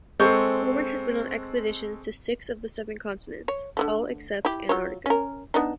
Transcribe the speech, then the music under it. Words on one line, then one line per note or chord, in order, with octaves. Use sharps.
Corwin has been on expeditions to six of the seven continents-all except Antarctica.
G#3 C4 A4 C#6 G6
C#5
D3 F#3 A3
E4 G4
F#3 F4 C#5
C#4 A#4
B3 D4 D#4